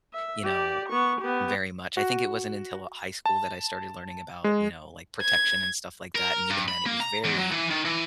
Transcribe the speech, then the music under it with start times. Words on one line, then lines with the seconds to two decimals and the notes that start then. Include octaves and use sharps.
you know, uh, very much. I think it wasn't until high school that I started learning about, you know, like, protection and stuff like that, and even then, it was very,
0.13 E5
0.44 G4 D5
0.88 B3 C#6
1.20 B3 G4
1.97 F#4
3.26 A5
4.44 G#3
5.21 G#6
6.15 A#4
6.50 G2
6.68 B5
6.86 A#3
7.01 A#5
7.25 E2
7.39 F#3
7.52 E3
7.70 D#3
7.85 E3